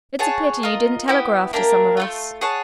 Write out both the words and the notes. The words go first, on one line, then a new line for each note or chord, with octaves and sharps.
"It's a pity you didn't telegraph to some of us."
G#4 C#5 F#5 A5
F4 A#4 D#5
B3 E4 G4
A#3 D4 G4 A#4
A3 C4 F4
G#4 C#5 F#5 A5